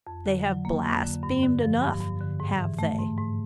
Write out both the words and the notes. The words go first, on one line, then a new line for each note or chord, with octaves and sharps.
They have blasphemed enough, have they.
F2
D3
F#3
A#3
F2
D3
G2
D3
F3
G2
G2
D3
G#2
E3
A3
G#2
G#2